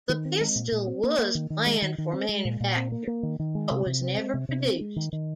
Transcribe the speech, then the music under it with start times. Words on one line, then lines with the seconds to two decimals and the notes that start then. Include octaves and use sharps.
The pistol was planned for manufacture but was never produced.
0.09 D#3
0.25 C4
0.41 G#3
0.56 A#2
0.72 A#2
0.87 C4
1.04 A#3
1.19 A#3
1.35 D#3
1.50 D#3
1.66 G#3
1.82 D#3
1.98 D#3
2.13 C4
2.29 G#3
2.45 A#2
2.60 A#2
2.76 C4
2.92 A#3
3.07 A#3
3.23 D#3
3.39 D#3
3.55 G#3
3.71 C3
3.86 C3
4.02 C4
4.18 G#3
4.34 C3
4.49 C3
4.65 C4
4.81 G#3
4.96 D#3
5.12 D#3